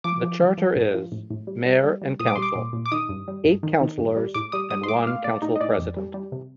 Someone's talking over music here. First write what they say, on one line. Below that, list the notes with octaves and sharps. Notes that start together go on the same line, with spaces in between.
The Charter is: Mayor and Council - eight councillors and one council president.
F3 D6
F3
F3
F3
A2
F3
A2
A2
G3
G3
G3
G3
A#2 D#6
D6
G3 C6
D6
A#2
A#2
D6
D#3 D#6
G2
G3
G2
D#3
D#3
G2
G3
A2 D6
G3 D#6
G3 D#6
C6
A2 D6
A2 F5
A2 D5
A2 D#4
D#5
A2 D5
F2
G3
G3
C3